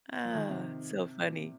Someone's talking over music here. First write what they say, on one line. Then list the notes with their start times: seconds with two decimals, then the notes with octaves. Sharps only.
Uh, so funny.
0.25 F3
0.35 D#3
0.50 C3
1.19 A#2